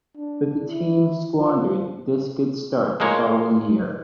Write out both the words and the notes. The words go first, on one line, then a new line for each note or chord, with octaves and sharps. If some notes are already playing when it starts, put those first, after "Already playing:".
But the team squandered this good start the following year.
D4
E4
F3
F3 G#3 A#3 C#5